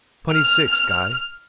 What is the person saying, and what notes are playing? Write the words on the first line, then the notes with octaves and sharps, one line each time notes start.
"Twenty-six, Guy."
F6